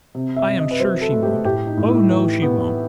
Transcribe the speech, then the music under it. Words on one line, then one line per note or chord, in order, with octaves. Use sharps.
I am sure she won't. Oh, no, she won't.
C3
E5
C3
D#5
B4
F#3 C5
A4
A3
G4
A2 G4
D#4
A2
E4
E3
B3